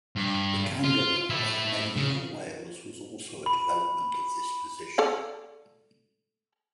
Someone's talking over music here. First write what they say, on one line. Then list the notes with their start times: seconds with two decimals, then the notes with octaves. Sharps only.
The canghellor of Medieval Wales was also a development of this position.
0.16 G2
0.84 F4
1.30 A3 E4
1.96 C#3
3.46 B5
4.98 A4 D5 F5